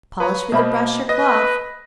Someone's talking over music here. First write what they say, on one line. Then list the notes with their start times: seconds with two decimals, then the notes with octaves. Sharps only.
Polish with a brush or cloth.
0.20 B4 C#5 A#5
0.52 B2 A#3 C5 D#5 E5 B5
1.09 B4 D#5 A#6